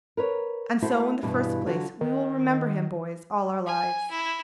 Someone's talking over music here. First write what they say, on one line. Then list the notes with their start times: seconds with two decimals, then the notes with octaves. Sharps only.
And so in the first place, we will remember him, boys, all our lives.
0.17 A#4 B4 C#5
0.82 A3 E4 F#4 C5
1.23 G2 B2 E3 G3
1.66 D3 F#3 F4 F#4
2.01 D#3
3.66 G#5
4.11 E4